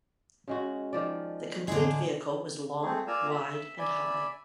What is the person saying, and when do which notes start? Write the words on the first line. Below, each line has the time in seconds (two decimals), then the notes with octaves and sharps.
The complete vehicle was long, wide and high.
0.48 C#3 G#3 F#4
0.93 D#3 F3 D5
1.68 A2 D3 G#3 G#4
2.83 A3 C4 G#4
3.07 A#3 F4 D5 G#5 A#5 E6
3.31 E5
3.79 D5 E5 G#5 B5